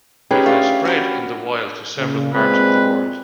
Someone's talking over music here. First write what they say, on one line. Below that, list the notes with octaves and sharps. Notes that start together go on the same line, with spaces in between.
It has spread in the wild to several parts of the world.
C#4 D#4 G4 G#4 B4
A3 D4 F4 B5
F#4 A#4 B5
A#2 C#3
A#2 G#3 C4 B4